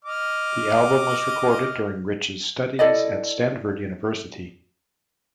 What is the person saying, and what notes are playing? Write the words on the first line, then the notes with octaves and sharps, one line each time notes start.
The album was recorded during Rich's studies at Stanford University.
D#5 D6 F6
E4 A4 D5 D#5